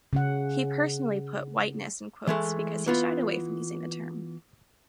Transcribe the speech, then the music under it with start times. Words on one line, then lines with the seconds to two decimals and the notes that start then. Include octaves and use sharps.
He personally put "whiteness" in quotes because he shied away from using the term.
0.13 C#3 C#4 F#5
2.27 E3 G#3 A3
2.86 E3 B3 F4